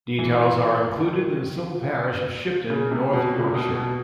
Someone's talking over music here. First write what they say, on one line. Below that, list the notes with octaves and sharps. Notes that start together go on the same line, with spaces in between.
Details are included in the civil parish of Shipton, North Yorkshire.
E3
D3
D#3
C#3
C3
B2
A#2
C3
B2
B2